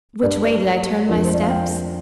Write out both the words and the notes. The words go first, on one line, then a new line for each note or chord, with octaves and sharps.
Which way did I turn my steps?
G2 G3 D4
D5
F2 F3 A#3 D4
C5
D5
F5
G5